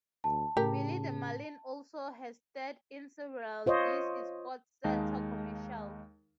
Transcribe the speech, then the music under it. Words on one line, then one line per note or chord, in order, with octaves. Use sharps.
Billy the Marlin also has starred in several This is SportsCenter commercials.
D2 A5
A2 C#3 G4 A#4
F4 C5 C#5 D#5
D#2 G#3 D#4 F5 A5